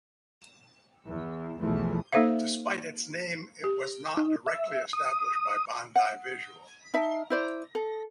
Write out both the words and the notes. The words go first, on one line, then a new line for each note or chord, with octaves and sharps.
Despite its name it was not directly established by Bandai Visual.
E2
B1 E2 E3 F3 A3
A#3 D#4 A4 C5 E5 F5
G4
D#4
E5
D#6
F#5
D#4 E5 A5
E4 C5 D5
A4